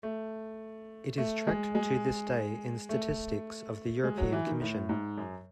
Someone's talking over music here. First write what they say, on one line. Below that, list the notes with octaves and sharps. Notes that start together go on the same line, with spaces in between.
It is tracked to this day in statistics of the European Commission.
A3
A3
G#3
G#3
A3
G#3
F#3
E3
D#3
A2
G#2
F#2